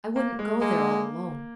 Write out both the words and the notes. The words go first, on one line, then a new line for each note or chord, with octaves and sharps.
"I wouldn't go there all alone."
A#3
G#3
G#3 A#3